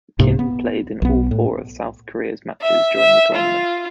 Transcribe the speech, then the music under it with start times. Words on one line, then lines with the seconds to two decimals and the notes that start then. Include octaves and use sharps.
Kim played in all four of South Korea's matches during the tournament.
0.19 C2 G#2 C3 A#3
0.39 B3
1.02 B1 B3
1.31 A2
2.62 E5
2.97 E5
3.35 F4